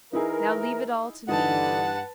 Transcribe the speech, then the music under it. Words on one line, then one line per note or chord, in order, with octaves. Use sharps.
Now leave it all to me!
E3 D#4 E4 G#4 A#4
G2 D3 E3 D#4 B4 F#5 A5